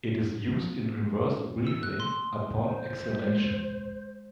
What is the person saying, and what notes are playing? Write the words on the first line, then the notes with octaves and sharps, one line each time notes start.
It is used in reverse breathing upon exhalation.
E6
F#6
C6
C5
G#3